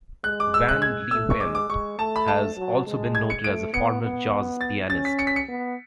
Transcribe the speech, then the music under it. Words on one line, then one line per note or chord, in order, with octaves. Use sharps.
Van Leeuwen has also been noted as a former jazz pianist.
G#3 F#6
D6
E6
F#6
G#6
A3 E6
C#6
G#3 D6
D6
G#3 C#6
A3 A5
B5
A5
F#3
G#3
G#6
C#7
A3 D7
B3 C#7
B3
A6
C#4 A6
B6
C#7
B6
C#7
B3